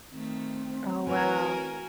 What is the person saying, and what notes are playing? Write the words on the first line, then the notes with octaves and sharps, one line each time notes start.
Oh, wow.
D#3 A3 C4
E3 F#4 A#4 B4 C#5 G#5